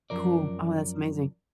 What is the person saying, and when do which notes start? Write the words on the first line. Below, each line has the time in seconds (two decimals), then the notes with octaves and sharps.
Cool. Oh, that's amazing.
0.10 F#2 F3 A#4 D5